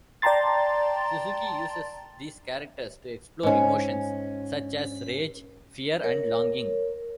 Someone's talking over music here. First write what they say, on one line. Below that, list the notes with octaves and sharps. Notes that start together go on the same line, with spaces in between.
Suzuki uses these characters to explore emotions such as rage, fear and longing.
D5 G5 A5 A#5 C6 A6
G#2 C#4
A#4 C#5